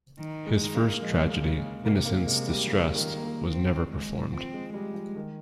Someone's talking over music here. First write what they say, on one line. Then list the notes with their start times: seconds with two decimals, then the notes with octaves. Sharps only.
His first tragedy, "Innocence Distress'd," was never performed.
0.19 D#3
0.46 G#3
0.61 D#3
0.75 A#3
1.02 F3 G#3
1.30 A#3
1.43 C#3
1.57 G#3
1.84 C3 A#3
2.05 A#3
2.26 C3 G#3
2.47 G3
2.67 C#3 F3
2.96 D#3
3.09 A#3
3.23 D#3
3.50 C4
3.92 G#3
4.33 F3 C4
4.53 G#3
4.74 G3 G#3
4.94 F3
5.16 D#3